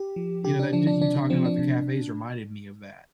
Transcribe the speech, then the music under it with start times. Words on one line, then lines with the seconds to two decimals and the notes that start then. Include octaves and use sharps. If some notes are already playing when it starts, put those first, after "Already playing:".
you know, that did you talking about the cafes reminded me of that.
Already playing: G4
0.16 F3
0.45 C3 G4
0.59 D4
0.73 F3 D4
0.87 D4
1.02 C3 D4
1.16 D4
1.30 F3 C4
1.45 D4
1.59 C3